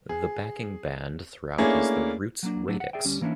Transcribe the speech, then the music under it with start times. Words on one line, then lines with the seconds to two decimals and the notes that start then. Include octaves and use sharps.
The backing band throughout is the Roots Radics.
0.09 G#4
1.58 A3 A#3 C#4 D4 E4 G#4
2.43 F#3 A#3 D4
2.68 F#3 A3 D4 A4
2.80 F#5
2.93 G#4 D5 E5 G5
3.04 D2 G3 C#4
3.21 E3 A#3 C#4 D4 E4